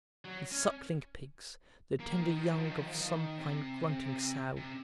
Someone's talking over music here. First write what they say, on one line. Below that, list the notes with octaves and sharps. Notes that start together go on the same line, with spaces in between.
And suckling pigs, the tender young Of some fine grunting sow!
F#3
C#4
A#3
D#3
D#3
F3
D#3
F3
D#3
F3
D#3
F3
D#3
F3
D#3
C3
C3